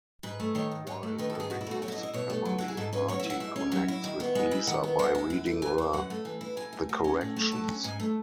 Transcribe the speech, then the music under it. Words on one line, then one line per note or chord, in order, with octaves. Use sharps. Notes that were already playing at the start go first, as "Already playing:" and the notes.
While living with the family, Artie connects with Lisa by reading her "The Corrections".
G#2 B4
A3
D#3 C#5
G#2
G#2 C#5
A3
D#3 B4
A4
G#2 G#4
B2 F#4
E4
A3 F#4
F#3 C#5
E5
D#5
E4
D#5
B2 C#5
A3
F#3
E4 F#4
G#4
G#2 A4
C#4 B4
F#3 C#5
E5
E4
F#5
G#2 E5
C#4
F#3 E5
E4
D#3
B3
G#3 F#5
E4
D#3 F#5
B3
G#3 F#5
E4
F#2
A3
E3 G#5
E4
F#2 F#5
A3
E3
E4
A2 G#5
A3
F#3
C#4
A2
A3
F#3 A5
C#4
G#2 G#5
A3